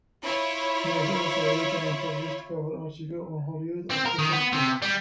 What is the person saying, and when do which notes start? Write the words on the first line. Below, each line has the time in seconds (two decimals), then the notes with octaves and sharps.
He has also written and published cover articles on Hollywood actors and films.
0.23 E4 F4 C#5
3.91 C4
4.06 A#4
4.19 D#3
4.32 B3
4.52 C3
4.82 G3